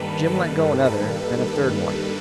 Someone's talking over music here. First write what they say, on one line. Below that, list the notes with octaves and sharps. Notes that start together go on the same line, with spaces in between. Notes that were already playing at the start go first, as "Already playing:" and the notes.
Jim let go another, then a third one.
Already playing: G2 D#3 G3 A#3 A4 B4
A4 B4
A4 B4